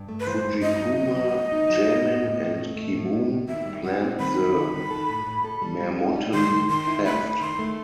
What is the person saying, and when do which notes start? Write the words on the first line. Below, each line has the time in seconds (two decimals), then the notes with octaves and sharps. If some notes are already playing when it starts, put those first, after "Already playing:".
Fujikuma, Jamin and Khimoun planned the Marmottan theft.
Already playing: G2
0.09 A3
0.20 B4
0.27 E3 C5
0.45 G2
0.62 D#4 D#5
0.80 F#3
0.98 F#3
1.16 F#3
1.34 B3
1.52 D#4
1.70 F#3
1.87 D#4
2.05 A2
2.23 A2
2.41 A3
2.59 A3
2.76 A3
2.94 A2
3.13 A2
3.30 A2
3.48 D#3 E5
3.66 G3
3.83 G3 F#5
4.02 C4
4.20 D#3 B5
4.38 G3
4.56 D#3
4.74 D#3
4.91 A4
5.10 A2
5.27 A2
5.44 A4
5.62 G3
5.80 G3
5.98 D#4
6.15 G3
6.34 D#3 C6
6.51 D#3
6.69 D#3 C6
6.87 E4
7.06 A3 B5
7.23 A3
7.41 D#3 C6
7.59 A3